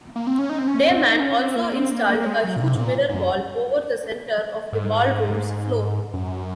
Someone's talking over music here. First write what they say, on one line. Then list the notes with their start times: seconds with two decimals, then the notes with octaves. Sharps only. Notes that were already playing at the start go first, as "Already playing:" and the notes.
Dayman also installed a huge mirror ball over the centre of the ballroom's floor.
0.16 A#3
0.27 C4
0.39 C#4
0.50 D#4
0.59 C4
0.68 C#4
0.85 C4
1.03 D#4
1.20 C#4
1.39 C4
1.56 A#3
1.73 C4
1.91 A#3
2.08 A#3
2.20 A#3
2.26 G#3
2.44 F#3
2.56 A#2
2.61 C3
2.75 G#2
2.79 A#2
3.09 G#2
3.14 F#2
4.73 G#2
6.14 F#2